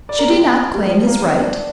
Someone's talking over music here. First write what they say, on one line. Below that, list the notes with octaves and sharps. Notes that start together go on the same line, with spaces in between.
Should he not claim his right?
D5
A#4
G4
A#3
G3
F3
G3
A#3
C4
D4